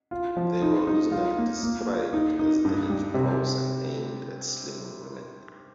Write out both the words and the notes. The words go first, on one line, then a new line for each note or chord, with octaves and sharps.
They were originally described as "energy balls" and aimed at slimming women.
F4
F3
D#4
D#4
F4
A#3
A#3
F4
D#4
D#4
G2
G3
C3